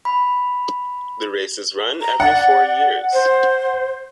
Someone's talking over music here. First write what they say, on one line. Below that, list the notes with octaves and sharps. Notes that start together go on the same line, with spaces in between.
The race is run every four years.
B5
A#5
D5 F#5
C5